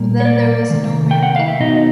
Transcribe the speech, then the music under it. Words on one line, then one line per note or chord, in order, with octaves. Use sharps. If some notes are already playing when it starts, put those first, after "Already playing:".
Then there was no miracle?
Already playing: A#2 G3 A#3
C#5
D5
C3 D#3 G#3
G5
F#5
F5
E5
B2 F#3 B3 D#4 D#5
D#5